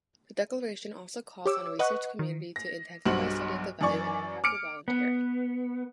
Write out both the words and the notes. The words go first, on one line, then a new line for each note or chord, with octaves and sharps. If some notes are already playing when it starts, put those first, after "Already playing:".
The declaration also calls on the research community to intensify study of the value and impact of volunteering.
G4 C#5 D6 E6
B4 D#5 F#5 C#6 F#6
D#3
A#6
B1 G2 F#4 C5 F#7
F#2 E3 D5 C#6
D6 F6 C#7 D7
B3